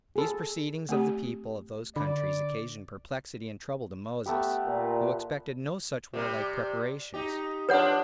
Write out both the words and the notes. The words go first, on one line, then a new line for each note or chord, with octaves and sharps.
These proceedings of the people of those countries occasioned perplexity and trouble to Moses, who expected no such warlike preparations.
G#4 A4
A3 C4 G4
D3 D5 B5
A3 B3 G4
A#2
C3 G3
D#4 G4
F3 D4 B4 C#5 F#5